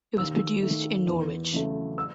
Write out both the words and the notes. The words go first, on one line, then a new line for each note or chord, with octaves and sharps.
It was produced in Norwich.
D#2 E6
D#3 A3
E2
C#3 F#3 A3
E6